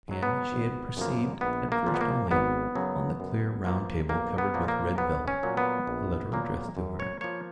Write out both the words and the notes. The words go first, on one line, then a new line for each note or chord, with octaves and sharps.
And she had perceived at first only, on the clear, round table covered with red velvet, a letter addressed to her.
G#2 F#3
B3
G#1
F#2 C#3 F3 A#3
A#1 B3
A#3
A#2 F3
B3
A#3
G#1 B3
F#2 C#3 F#3
F#2
F3 A#3
B1 A#3
B3
A#2 F3 A#3
A#3
B1 B3
C#4
A#2 F#3 A#3
B3
A#1
A#2 F#3 A#3
F#2
C#5
F3 A#3 C#5